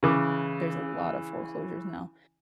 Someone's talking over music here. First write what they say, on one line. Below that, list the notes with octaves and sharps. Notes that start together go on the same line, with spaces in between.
there's a lot of foreclosures now,
C#3 E3 D6